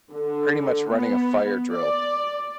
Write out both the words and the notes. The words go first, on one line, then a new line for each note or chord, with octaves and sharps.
pretty much running a fire drill,
D3
B3
D5